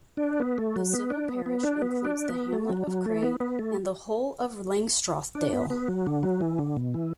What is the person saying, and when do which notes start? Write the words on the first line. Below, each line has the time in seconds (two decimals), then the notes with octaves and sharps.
The civil parish includes the hamlet of Cray and the whole of Langstrothdale.
0.17 D4
0.40 B3
0.58 A3
0.76 F#3
0.93 B3
1.10 D4
1.29 B3
1.46 B3
1.63 D4
1.82 B3
2.05 D4
2.29 B3
2.53 A3
2.69 F#3
2.87 F#3
3.06 A3
3.23 B3
3.40 B3
3.59 A3
5.35 D4
5.53 B3
5.70 B3
5.88 F#3
6.07 D3
6.23 F#3
6.41 E3
6.58 D3
6.77 B2
6.94 E3